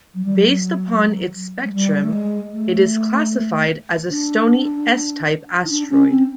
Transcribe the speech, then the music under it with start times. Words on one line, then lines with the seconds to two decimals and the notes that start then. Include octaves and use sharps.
Based upon its spectrum, it is classified as a stony S-type asteroid.
0.14 F#3
0.24 G3
0.35 F#3
1.64 G#3
1.73 G3
2.04 A3
2.12 G#3
2.52 A3
4.11 D4
5.65 D#4
5.70 D4
5.90 C#4
6.09 C4